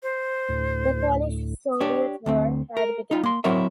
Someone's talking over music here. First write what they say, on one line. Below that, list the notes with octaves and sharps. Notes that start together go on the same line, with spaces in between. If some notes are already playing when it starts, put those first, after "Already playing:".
The Polish-Soviet War had begun.
C5
D2 A2
D4 G4 C#5
D2 A3 C4
A#4
D#4 F4
A#3 C6
F#3 C4 E4 A#4 C#5 E5